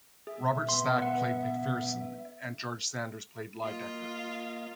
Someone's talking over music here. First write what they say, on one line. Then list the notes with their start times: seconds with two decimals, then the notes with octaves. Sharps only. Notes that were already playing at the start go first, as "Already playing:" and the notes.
Robert Stack played McPherson and George Sanders played Lydecker.
0.27 G#4 E5
0.69 B3 C6
0.98 B4 F#5
3.63 A#3 F4 D#5